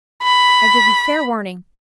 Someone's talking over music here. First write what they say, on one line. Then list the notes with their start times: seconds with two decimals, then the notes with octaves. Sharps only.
I give you fair warning.
0.23 B5